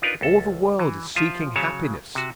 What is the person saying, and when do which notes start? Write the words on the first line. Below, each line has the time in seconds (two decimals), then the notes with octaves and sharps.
All the world is seeking happiness.
0.02 D4 D#4 F4 A#4 B4
0.21 C#2 A4
0.79 E3
1.15 F3 F4 E5
1.56 C#3 F#3 C#5 A5
2.15 C3 F#4